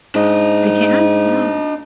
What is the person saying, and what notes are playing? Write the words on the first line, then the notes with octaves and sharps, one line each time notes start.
They can, yeah.
G#2 D4 D#5